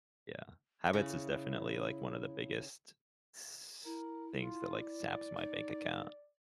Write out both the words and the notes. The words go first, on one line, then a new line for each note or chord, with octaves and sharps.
Yeah. Habits is definitely, like, one of the biggest s things that, like, saps my bank account
C#3 E4
E4 A#4
F4
D5
D#4